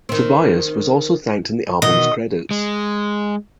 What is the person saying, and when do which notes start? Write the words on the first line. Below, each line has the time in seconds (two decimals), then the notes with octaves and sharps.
Tobias was also thanked in the album's credits.
0.09 D#3 C4
1.82 B2 D#3 E3 D#5
2.51 G#3